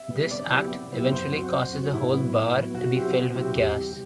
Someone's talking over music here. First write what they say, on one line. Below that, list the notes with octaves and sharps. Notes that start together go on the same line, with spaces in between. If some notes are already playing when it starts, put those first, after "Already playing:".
This act eventually causes the whole bar to be filled with gas.
Already playing: E5
D3 G3 B3
C3 D5
F#3 B3 E4 G4
C3
F#3 B3 E4 G4
F#2 C5
F#3 C4 F#4
F#2
F#3 C4 F#4
A2 E4
F#3 B3
A2
F#3 B3
B2 F#4
F#3 C4 E4 G4
B2
F#3 C4 E4 G4
E2 G4
C3 G3